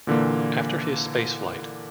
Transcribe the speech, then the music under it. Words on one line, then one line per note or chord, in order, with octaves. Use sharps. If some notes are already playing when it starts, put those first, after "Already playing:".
After his spaceflight.
A#2 D3 E3 A#3